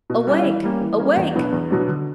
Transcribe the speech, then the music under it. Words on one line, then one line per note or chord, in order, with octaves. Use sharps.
"Awake, awake!"
B2
G3 C#4 E4
E3
G3 A#3 C#4
E3
G3 A#3 C#4
E2
B2 F#3 B3 D4
E2
B2 F#3 B3 D4
D3